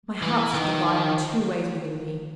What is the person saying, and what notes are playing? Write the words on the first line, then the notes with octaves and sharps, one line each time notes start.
My heart stood divided two ways within me.
E3
D#3